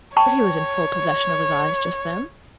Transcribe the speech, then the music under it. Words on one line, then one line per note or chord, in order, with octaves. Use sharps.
"But he was in full possession of his eyes just then?"
C#5 G5 A5 C#6